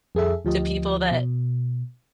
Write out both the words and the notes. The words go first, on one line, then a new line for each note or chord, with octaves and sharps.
to people that
F2 G#4 A4 E5
D2 F3 G4 D#5
B2